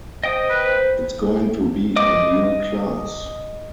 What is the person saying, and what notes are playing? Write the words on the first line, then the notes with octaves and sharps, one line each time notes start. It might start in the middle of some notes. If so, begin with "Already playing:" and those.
It's going to be a new class.
C5 D#5 G5 D#6
B4
C5
D#5 D6